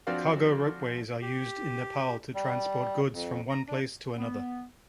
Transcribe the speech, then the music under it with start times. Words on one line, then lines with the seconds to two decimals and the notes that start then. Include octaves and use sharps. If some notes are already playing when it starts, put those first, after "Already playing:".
Cargo ropeways are used in Nepal to transport goods from one place to another.
0.07 F3 C4 D4 F#4 C5 F5
1.22 G4
2.35 G3
3.13 F2
3.50 A#5
3.68 D4
4.18 B3